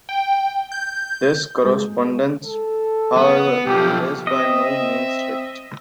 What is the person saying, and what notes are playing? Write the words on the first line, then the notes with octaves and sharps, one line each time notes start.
This correspondence, however, is by no means strict.
G5
G6
G#3
A4
B3
B1 F3 G4
C4 D#5 E5